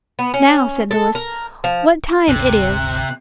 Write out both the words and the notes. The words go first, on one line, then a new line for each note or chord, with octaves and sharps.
"Now," said Louis, "what time it is?"
B3
C#4
A4
A#4
F3
G1 D2 C3 F#6